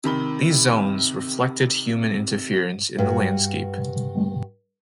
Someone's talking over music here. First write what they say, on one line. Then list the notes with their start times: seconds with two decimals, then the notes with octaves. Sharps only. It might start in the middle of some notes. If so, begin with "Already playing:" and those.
These zones reflected human interference in the landscape.
0.04 C3 D#3 B5 G7
2.98 G2 F#4